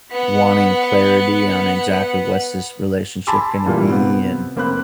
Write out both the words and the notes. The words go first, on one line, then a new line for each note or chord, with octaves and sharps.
wanting clarity on exactly what's this relationship gonna be, and,
B3 F#5
G#5 A5 B5 C6 D6 E6
A#2 E3 G3 A#3 F4
C3 B3
F1 A#3 C4 B5 F#6